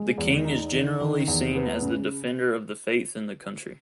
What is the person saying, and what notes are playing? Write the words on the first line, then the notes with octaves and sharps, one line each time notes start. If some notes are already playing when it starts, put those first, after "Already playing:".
The king is generally seen as the defender of the faith in the country.
Already playing: G#3
E2
D#4
D#3
D#3
E2
B3
C#3